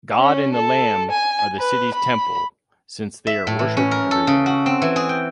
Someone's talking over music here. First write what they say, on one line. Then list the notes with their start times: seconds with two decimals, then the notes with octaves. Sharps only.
God and the Lamb are the city's temple, since they are worshiped everywhere.
0.18 C#4
0.54 A4
1.09 G#5
1.60 B4
1.93 B5
3.27 E5
3.47 A2
3.59 E3
3.77 C#4
3.91 A#4
4.11 A4
4.27 C#3
4.46 F#4
4.66 C4
4.82 E3
4.96 G#4
5.09 G5